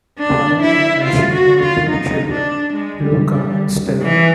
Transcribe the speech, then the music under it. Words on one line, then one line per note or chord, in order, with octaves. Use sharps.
Ryan and Ashley have two children, Luca and Stella.
D4
E4
F4
F#4
F4
D#4
D4
G#3
G3
G3
E3